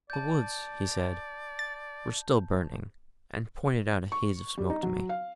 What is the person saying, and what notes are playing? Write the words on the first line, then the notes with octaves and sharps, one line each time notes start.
The woods, he said, were still burning, and pointed out a haze of smoke to me.
D5 A5 G6
A6
C#6
G3
D#4
F#3
F5